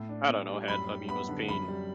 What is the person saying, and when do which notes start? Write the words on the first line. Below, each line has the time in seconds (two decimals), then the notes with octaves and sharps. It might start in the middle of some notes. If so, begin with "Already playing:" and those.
I don't know, had, I mean, I was paying
Already playing: A2
0.09 D4
0.29 A2
0.49 G3
0.68 F#2 B5
0.88 G3
1.08 B3 B5
1.28 D3
1.48 F#2 B5
1.68 G3